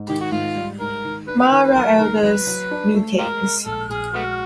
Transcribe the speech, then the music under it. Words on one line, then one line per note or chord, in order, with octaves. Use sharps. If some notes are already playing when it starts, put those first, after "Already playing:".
Mara Elders Meetings.
Already playing: G#2
D#3 G4
F#4
G#2 F4
G3
G#2 A#4
D#3
D4 B4
B4
D#3 B4
B4
F#3 A#4
D#3 A#4
F#3 B4
F#3
D4
A3
G#3 F4 G4 A#4
G#3
A#1 A4
A#1 G#4
G#3 A3 B3 F#4